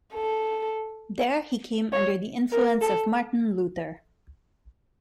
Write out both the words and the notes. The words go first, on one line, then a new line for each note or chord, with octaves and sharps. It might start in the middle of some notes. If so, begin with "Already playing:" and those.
There he came under the influence of Martin Luther.
A4
C#5
A#4
A4